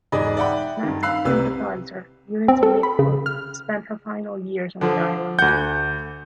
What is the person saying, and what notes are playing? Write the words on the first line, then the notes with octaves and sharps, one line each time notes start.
Nazi sympathiser Unity Mitford spent her final years on the island.
E1 G#2 G#4 D5 D#5 B5
D5 E5 F#5 G5 B5
G2 D#3
F5 B5 E6 F#6 C7
C2 C3 B4 E6
C4
A4
B5
C#3
F6
D3 F3
D2 F#5 G6